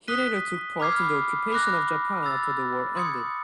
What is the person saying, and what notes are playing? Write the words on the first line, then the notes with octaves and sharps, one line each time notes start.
He later took part in the occupation of Japan after the war ended.
D#6 F#6 B6 D#7 G7
B5 D6 F6 G#6 C7
B5 D6 F#6 A#6
B5 E6 A6
C6 D#6 G#6 C#7